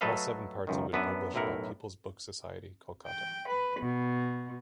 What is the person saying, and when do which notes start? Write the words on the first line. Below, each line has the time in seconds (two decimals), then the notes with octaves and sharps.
All seven parts have been published by Peoples's Book Society, Kolkata.
0.01 F#3 A3 A4 B4 D#5 F5
0.67 C#2 F#2 D#3
0.93 F#2 B3 D4 B4 E5
1.34 B1 F#2 A2 E4 A#4 F#5
3.08 G5
3.49 B4
3.80 B2